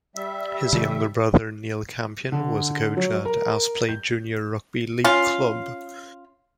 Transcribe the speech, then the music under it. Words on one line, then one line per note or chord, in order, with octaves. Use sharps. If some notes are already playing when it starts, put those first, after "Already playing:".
His younger brother Neil Campion was a coach at Aspley Junior Rugby League club.
G3 E5
C#3 E3 A3
D3
F#3
A#4
G6
C#4 F4